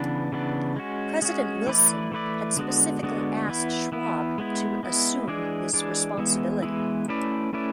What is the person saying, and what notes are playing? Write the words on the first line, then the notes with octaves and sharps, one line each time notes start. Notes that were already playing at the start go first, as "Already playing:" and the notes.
President Wilson had specifically asked Schwab to assume this responsibility.
Already playing: C#3 E3 B3 D4
C#3 E3 B3 D4
G#3 C#4 F#4
G#3 C#4 F#4
E3 A3 E4 B4 D5
E3 A3 E4 B4 D5
D3 G#3 B3 D4 F#4
D3 G#3 B3 D4 F#4
E3 B3 E4
E3 B3 E4
G#3 B3 E4
G#3 B3 E4
E3 G#3 D4 G#4 D5
E3 G#3 D4 G#4 D5
E3 G#3 B3 E4
E3 G#3 B3 E4
A3 C#4 E4 B4 D5
A3 C#4 E4 B4 D5